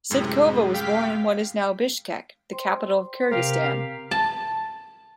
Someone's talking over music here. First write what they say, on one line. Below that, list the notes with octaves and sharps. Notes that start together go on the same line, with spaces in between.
Sydykova was born in what is now Bishkek, the capital of Kyrgyzstan.
F#2 A2 C3 G#3
F5 G5 B6
C5 G5 C6
C3 C4 G4 A#4 F5
A5